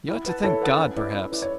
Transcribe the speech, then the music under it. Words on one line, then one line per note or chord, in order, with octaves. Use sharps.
You ought to thank God, perhaps.
E4
B4 F#5 A5
E4 A4 C#5
B4 F#5 A5
C#4
E4 B4 D5
C#4
E4 B4 D5
C#5